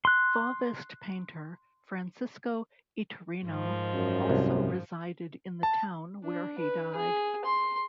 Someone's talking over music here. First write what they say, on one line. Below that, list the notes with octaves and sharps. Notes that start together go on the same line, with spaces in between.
Fauvist painter Francisco Iturrino also resided in the town where he died.
C6 F#6
G#2 D#3 F3
F#2
C2
A5
D4
B4
G#4
C6